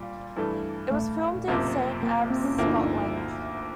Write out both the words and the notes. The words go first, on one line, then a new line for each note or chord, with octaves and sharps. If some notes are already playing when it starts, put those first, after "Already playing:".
It was filmed in Saint Abbs, Scotland.
Already playing: A#2 G3
G2 E3 A3
A3
F#1 F2 C3 F3 A#3
A#3
C4
C#4
D2 D3 F3 A#3 E4
D#4
D4
D#4